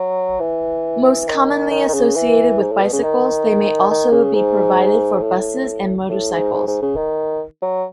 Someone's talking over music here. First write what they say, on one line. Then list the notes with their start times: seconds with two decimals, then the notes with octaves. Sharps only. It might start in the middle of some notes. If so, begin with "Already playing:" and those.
Most commonly associated with bicycles, they may also be provided for buses and motorcycles.
Already playing: F#3
0.40 E3
1.27 D#3
1.71 D#3
1.88 D#3
1.93 C#3
2.16 E3
2.61 G#2
2.72 A2
2.82 B2
2.92 C#3
3.03 D#3
3.91 D#3
4.11 C#3
4.34 G#2
5.22 A2
6.09 A2
6.32 G#2
6.53 G#2
6.67 G#2
6.82 C#3
6.96 D#3
7.62 F#3